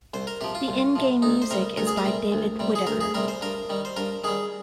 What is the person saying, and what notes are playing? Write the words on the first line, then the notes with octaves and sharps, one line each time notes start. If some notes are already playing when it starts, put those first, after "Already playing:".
The in-game music is by David Whittaker.
C2 C5
A#4
C3 F3 G4
F4
C2
C3 F3
D2 D#4
C5
C3 G3 A#4
D2 A#4
G#4
A#4
C3 G3
D2
C3 G3
G#4
D2 A#4
G#4
C3 G3 A#4
C5
G2 A#4
D#3 G3
C5
G2 A#4
D#3 G3 G#4